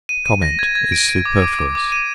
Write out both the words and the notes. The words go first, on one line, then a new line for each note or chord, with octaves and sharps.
Comment is superfluous.
D#7
D#7
A#6
G#6
G#6
D7
D7
D6
D6
D6
D6
D#7